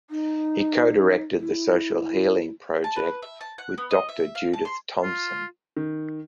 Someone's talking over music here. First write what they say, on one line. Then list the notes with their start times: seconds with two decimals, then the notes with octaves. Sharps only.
He co-directed the Social Healing Project with Doctor Judith Thompson.
0.10 D#4
1.40 E4
2.84 A5
2.96 B4
3.22 E5
3.41 A5
3.58 F#5
3.78 B3
3.91 D#5
4.09 E5
4.35 F5
4.53 A5
4.65 C6
5.03 F4
5.77 D#3